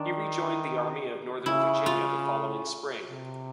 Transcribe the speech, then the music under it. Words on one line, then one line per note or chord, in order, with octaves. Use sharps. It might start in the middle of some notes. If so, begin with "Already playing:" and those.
He rejoined the Army of Northern Virginia the following Spring.
Already playing: D#3 D4
C#3 E4
F4
C3